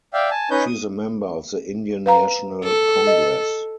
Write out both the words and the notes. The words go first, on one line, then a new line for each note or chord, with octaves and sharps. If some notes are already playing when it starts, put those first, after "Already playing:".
She is a member of the Indian National Congress.
D5 E5 F5 G5
G#5 A5
C#4 D#4 B4 C#5 D#5 G6
D#6
B4 F5 A#5
A4
D#5